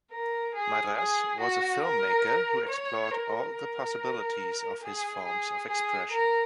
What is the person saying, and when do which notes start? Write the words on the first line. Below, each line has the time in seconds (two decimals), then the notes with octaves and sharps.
Madrás was a filmmaker who explored all the possibilities of his forms of expression.
0.12 A#4
0.55 G#4
0.97 G#4
1.40 F#4
1.83 A#4
2.69 C#5
3.11 A#4
3.55 A#4
4.82 G#4
5.26 G#4
5.69 G#4
6.12 A#4